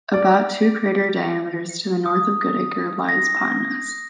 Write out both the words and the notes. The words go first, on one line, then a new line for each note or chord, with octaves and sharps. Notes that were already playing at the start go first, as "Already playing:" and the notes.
About two crater diameters to the north of Goodacre lies Pontanus.
D5
D#6
A#6